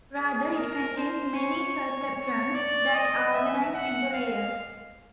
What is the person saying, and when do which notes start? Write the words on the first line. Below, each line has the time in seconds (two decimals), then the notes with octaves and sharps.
Rather, it contains many perceptrons that are organized into layers.
0.17 G#4
0.57 A#4
0.97 C5
1.35 C#5
2.15 C#5
2.55 D5
2.95 D#5
3.35 E5
3.74 F#5
4.13 F5